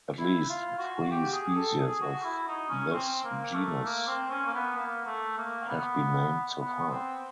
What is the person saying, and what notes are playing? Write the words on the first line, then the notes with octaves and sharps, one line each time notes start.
At least three species of this genus have been named so far.
E4
F4
F#4
F#4
G4
G#4
A4
G#4
F#4
E4
D#4
C#4
C4
A#3
A3
A#3
C4
C#4
A#3
B3
A#3
A3
A#3
B3
B3
C4